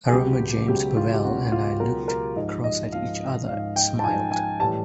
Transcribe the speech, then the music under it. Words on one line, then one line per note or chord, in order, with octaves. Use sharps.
I remember James Bevel and I looked across at each other and smiled.
G#4
C#2 B2 F#3 G4
C#2 B2 F#3 G4
F4
G4
C#2 B2 F#3 F#4
F4
C#2 B2 F#3 A#4
A#4
G#2 F3 D#5
D#5
G#2 F3 F5
G#2 F3 F5
G5
A5
G#2 F3 G#5
G#5
A2 E3 G3 A5